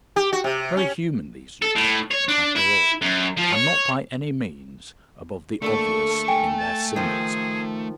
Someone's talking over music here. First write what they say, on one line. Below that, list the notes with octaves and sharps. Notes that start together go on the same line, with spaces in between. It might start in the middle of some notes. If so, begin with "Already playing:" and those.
Very human these Utopians, after all, and not by any means above the obvious in their symbolism!
G4
F#4
C3
C#4
A4
A2
C#5
D4
E4
F#2
F3
C#5
D3 A3 A#3 A4 C#6
G5 G#5
A5
D#3 F3 G#4